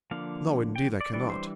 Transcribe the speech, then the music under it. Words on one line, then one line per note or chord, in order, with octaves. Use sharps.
"No, indeed, I cannot."
D3 F3 A#3 D4 F5
G5
D5
E3 G3 D4 D5
C5